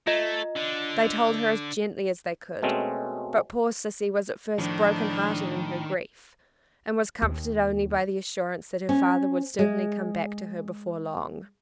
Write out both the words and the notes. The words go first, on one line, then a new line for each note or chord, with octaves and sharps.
They told her as gently as they could, but poor Sissy was at first broken-hearted in her grief and was comforted only by the assurance that her father would certainly come back to her before long.
A3 F4 D#5
D3
B2 G#3 A3 C4 C#4
A2 D#3 F3 D4
D#2
C#4
G#3